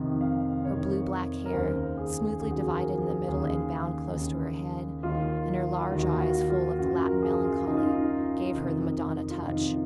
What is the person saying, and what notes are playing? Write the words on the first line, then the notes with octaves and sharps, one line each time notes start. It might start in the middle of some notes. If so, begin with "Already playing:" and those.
Her blue-black hair, smoothly divided in the middle and bound close to her head, and her large eyes full of the Latin melancholy, gave her the Madonna touch.
Already playing: F2 C3 D#3
F5
F2 C3 D#3 C#5
A#4
D#2 C#3 C5
G#4
D#2 C#3 G#4
F#4
G#4
A#4
G#4
D#2 C#3 G#4
D#2 C#3
D#2 D#3 F4
D#2 D#3 F#4
F#4
F4
F#2 C#3 F#4
A#4
G#4
F4
F#2 C#3 D#4
F4
D#4
F2 C3 D#3
F4
F2 C3 D#3 D#4